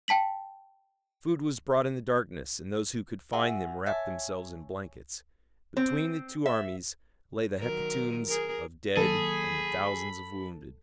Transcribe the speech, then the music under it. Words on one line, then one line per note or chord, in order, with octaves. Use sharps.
Food was brought in the darkness, and those who could find them wrapped themselves in blankets. Between the two armies lay the hecatombs of dead and the thousands of wounded.
G5 A5 B6 F#7
F#4 G#4 E5
C#5 E5 G#5 A5
C4
E5
D#3 F#3 A#4
G#4 A#4
D#3 F#3 A#3 G#4 A4 B5